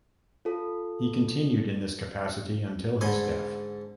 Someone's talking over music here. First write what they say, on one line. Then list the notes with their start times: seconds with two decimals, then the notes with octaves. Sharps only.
He continued in this capacity until his death.
0.45 F4 A4
3.01 G#2 D3 G#5 B5 C6